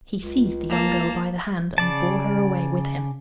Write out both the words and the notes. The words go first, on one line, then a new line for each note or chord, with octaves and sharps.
He seized the young girl by the hand and bore her away with him.
C#2
A#3 A5
C#3 D5 A5